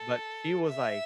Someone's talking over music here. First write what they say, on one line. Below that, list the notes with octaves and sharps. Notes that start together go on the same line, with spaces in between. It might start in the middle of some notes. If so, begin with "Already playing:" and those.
but she was, like,
Already playing: A4
E5